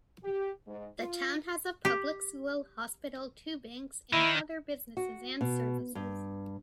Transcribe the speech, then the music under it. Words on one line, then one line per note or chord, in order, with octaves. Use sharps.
The town has a public school, hospital, two banks, and other businesses and services.
G4
G#2
F4
G4
D#3 E4
F#4
B2
G2